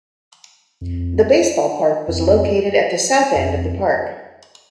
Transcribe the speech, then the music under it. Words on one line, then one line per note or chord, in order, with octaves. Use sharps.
The baseball park was located at the south end of the park.
F2
F2
F2